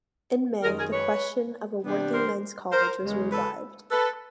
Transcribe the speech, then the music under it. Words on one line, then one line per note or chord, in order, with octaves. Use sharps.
In May the question of a Working Men's College was revived.
F#2 D#3 G#3 G#4 A#4
G#4 A#4
B4 C#5
C3 E3 G3 B3 D4
A#4 C5
A#4 C5
E2 C#3 E3 G#3
A4 B4
A4 B4